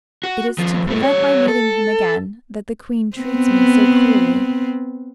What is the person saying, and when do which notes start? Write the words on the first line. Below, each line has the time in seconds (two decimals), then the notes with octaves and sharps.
It is to prevent my meeting him again, that the queen treats me so cruelly.
0.24 F#4
0.58 D#2 F3
0.87 G2 A3
1.01 G3 C#5
1.48 A4
3.17 B3 C4